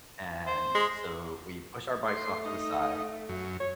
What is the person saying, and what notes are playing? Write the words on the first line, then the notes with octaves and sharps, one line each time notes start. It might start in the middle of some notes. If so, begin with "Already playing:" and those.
and, so, we push our bikes off to the side,
C5
G#3
A3 C6
D#4
F#2
C#5